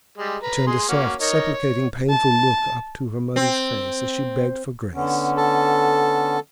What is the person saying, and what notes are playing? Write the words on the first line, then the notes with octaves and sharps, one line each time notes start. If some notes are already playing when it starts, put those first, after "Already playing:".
She turned a soft supplicating painful look up to her mother's face as she begged for grace.
G3 G#3
B4 A#5
G#4 C6
A#3 C#4 F#4
D#4 A#4 C#5
C#5
A5
C4
D3 B3 C#4
A4